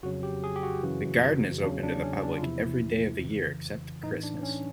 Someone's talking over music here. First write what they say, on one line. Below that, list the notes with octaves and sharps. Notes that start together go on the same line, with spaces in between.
The garden is open to the public every day of the year except Christmas.
F2 C#3 F#3 F#4
G4
G#4
G4
F#4
F#2 C#3 E3
E2 C#3 F#3 D4
D4
C#4
D4
F4
E2 C3 F3 E4
F2 C#3 E3
A2 E3 D#4
D4
C#4